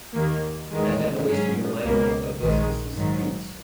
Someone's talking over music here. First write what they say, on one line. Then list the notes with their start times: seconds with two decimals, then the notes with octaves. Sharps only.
I had no wish to be reminded of Augustus's speech.
0.13 D#2 D#3 A#3
0.70 E2 D#3 G#3
1.25 G#2 F#3 C#4 G#4
1.82 C#2 B2 A#3
2.39 A#1 G#2 D#3 G#3
2.95 G#2 D#3 F#3